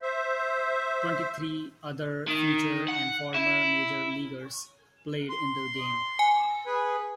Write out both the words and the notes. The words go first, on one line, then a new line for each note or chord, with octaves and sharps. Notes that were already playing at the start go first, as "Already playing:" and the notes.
Twenty-three other future and former major leaguers played in the game.
C5 E5
D#3
F#5
E4
C6
G#5
G#4 B4